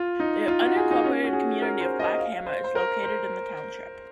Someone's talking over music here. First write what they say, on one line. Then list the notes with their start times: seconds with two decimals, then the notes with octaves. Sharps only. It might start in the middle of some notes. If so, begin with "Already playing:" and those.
The unincorporated community of Black Hammer is located in the township.
Already playing: F4
0.20 D#4
0.48 F4
0.62 F#4
0.76 G#4
0.91 D#4
1.04 C#4
1.24 F#4
1.33 G#4
1.62 A#4
1.81 C5
1.99 D#5
2.18 F5
2.46 C5
2.64 C5
2.75 A#4
3.03 C5